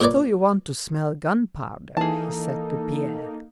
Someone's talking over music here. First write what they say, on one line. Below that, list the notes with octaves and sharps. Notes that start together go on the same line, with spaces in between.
"So you want to smell gunpowder?" he said to Pierre.
A#2 A#4 B4 C#5 D5
E3 A#3 D#4 G#4 A4 A5